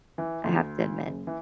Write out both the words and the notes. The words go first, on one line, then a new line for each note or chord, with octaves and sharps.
I have to admit.
E3
D2
F#1
E3